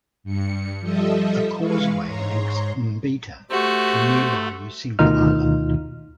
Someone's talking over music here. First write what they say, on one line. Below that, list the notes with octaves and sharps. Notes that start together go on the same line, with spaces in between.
A causeway links Mbita to nearby Rusinga Island.
G2 C#7
F3 G3 A4 D#5 E5
E3 G#3 B4 F5 C#6
G#2 C#5 A#5 C6
A3 F#4 G4 A4 C5
D2 B2 D#3 D#4 F4 F6